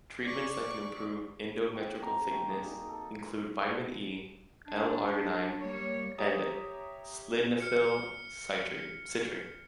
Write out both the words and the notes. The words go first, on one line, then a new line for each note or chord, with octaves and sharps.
Treatments that can improve endometrial thickness include Vitamin E, L-arginine and sildenafil citrate.
D5 C#6
G5
C4 A4 A#5 C6
A3 F#4 G5
A#3 G#4 D#6 E6
D#4 G#4 A#4
A4
D4
G3 A#3 C#5
G4 C#5 E5 A#5 D#6
F6 C#7